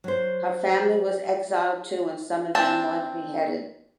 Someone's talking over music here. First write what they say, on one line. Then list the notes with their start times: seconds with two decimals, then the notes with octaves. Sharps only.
Her family was exiled too and some of them was beheaded.
0.04 F#3 C5
2.55 C4 D4 A5